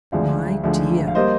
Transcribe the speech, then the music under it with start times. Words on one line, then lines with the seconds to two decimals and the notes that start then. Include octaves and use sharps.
"My dear!"
0.12 D2 D3 F3 G#3 D5 F5
0.64 D2 D3 F3 G#3
1.08 F5
1.15 G3 A#3 C5 D#5